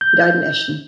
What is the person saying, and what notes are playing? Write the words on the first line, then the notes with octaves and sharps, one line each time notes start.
He died in Eschen.
G6